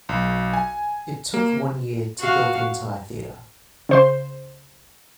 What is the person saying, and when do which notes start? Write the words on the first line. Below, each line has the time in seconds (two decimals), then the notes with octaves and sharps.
It took one year to build the entire theatre.
0.09 B1
0.53 G#5
1.34 A#3
2.19 F#4 F5
3.89 C#3 C5 C6